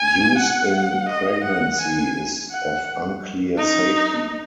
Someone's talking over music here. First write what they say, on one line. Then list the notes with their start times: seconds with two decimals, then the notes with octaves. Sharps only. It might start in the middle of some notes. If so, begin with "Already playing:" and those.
Use in pregnancy is of unclear safety.
Already playing: G#5
0.38 F#5
1.08 D#5
1.44 F#5
1.80 G#5
2.51 F#5
3.57 D#4